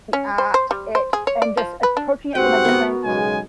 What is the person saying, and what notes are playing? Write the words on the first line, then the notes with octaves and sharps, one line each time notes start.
at it and just approaching it from a different
C#4
C5
C5
G3
C5
G#4
C#5
D5
F3
B4
D4
G#2 C4 F#4 G4 B4 F#5
B3 A#4
B1 C#3 G#3 G#5